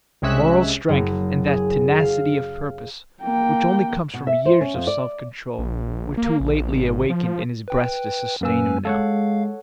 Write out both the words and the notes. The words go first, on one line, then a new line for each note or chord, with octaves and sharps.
Moral strength and that tenacity of purpose which only comes from years of self-control were too lately awakened in his breast to sustain him now.
C2 C3 G#3 C#4 E5 F#6
F#1
G#4
F5
A#3 G5
B2
E5
C5
C#4
F2
D5
A#1
A#3
A#1
G#1
F3
B4 G5
F#2 A#3 C#4 B4 G#5 E6
G#3 A4 C#5 F5 F#5